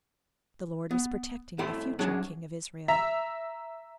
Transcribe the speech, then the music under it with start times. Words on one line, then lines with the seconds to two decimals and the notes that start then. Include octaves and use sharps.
The Lord was protecting the future king of Israel.
0.91 B3
1.59 F2 A3 E4 G5 C6
1.99 F#3 C#4 D4 G#4
2.88 E5 A#5